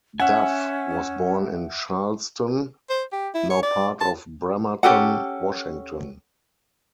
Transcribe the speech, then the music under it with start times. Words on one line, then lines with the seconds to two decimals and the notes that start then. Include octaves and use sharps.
Duff was born in Charleston, now part of Bremerton, Washington.
0.20 C#4 E5 F#5 G#5
2.90 C5
3.12 G4
3.34 E4
3.50 C#5
3.63 D5
4.00 A5
4.83 C#4 G4 A4 F#5